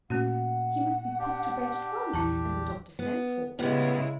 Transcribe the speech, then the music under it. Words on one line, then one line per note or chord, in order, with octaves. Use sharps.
He must be put to bed at once, and the doctor sent for!
A#2 A3 C#4 F#4 F#5
D4 G4
A#1 E2 E4 A5 A#5
B3
A2 C#3 G3 G#3 B3 E4